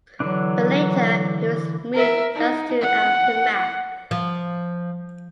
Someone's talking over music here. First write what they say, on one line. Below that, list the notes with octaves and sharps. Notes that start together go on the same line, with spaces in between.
But later he was moved just to Aftermath.
D3 E3 F#3 D4
A#4 E5
D#4
F#5
F3